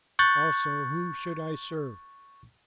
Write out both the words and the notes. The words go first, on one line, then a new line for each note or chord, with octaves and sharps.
Also whom should I serve?
C#6 F#6 G6 A6